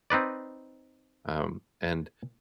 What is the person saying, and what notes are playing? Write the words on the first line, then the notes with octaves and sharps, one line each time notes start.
um, and
C4 D#4 B4 D5